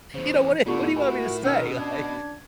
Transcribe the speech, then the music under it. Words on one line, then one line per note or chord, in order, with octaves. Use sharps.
you know, what you what do you want me to say, like,
E2 C#3 C5
A2 D3 B3 F4 G4
F#4 A#4 G#5
B2 D#3 C#4 F#5 E6 F6
D4 G#6